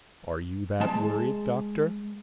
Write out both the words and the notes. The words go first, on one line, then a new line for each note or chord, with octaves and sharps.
"Are you that worried, Doctor?"
G#3 A5